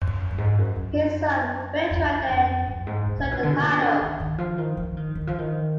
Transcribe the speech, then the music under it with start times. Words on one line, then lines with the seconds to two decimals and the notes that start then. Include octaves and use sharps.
His son, Bertrand, then took the title.
0.22 F2
0.31 F#2
0.38 G#2
0.58 F#2
0.76 F#2
1.91 F2
2.10 F2
2.30 F2
2.68 F#2
2.87 G#2
3.06 A#2
3.18 A#2
3.31 B2
3.43 D3
3.53 B2
3.62 A#2
3.72 B2
3.82 D3
4.01 D#3
4.20 D#3
4.38 F3
4.58 D#3
4.77 F3
4.97 D#3
5.15 D#3
5.27 F3
5.38 D#3